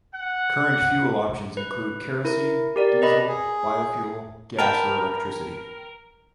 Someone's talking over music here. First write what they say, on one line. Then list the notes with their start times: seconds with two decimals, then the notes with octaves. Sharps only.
Current fuel options include kerosene, diesel, biofuel, gas or electricity.
0.15 F#5
1.57 B4
2.25 E4 A#4
2.76 G4 A#4 D5
3.02 B4 D#5 B5
3.28 G#4
4.59 A#4 B4 G5 A5